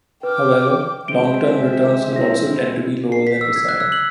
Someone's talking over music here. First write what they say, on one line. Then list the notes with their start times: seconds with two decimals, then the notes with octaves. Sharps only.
However, long-term returns would also tend to be lower than desired.
0.23 B4 G5 D6 F6
1.08 G#3 C4 C5 E5 D7 G7
2.16 E4 A#6
3.12 C7
3.27 B6
3.41 E6
3.56 G#6
3.69 F#6
3.80 E6
3.92 F#7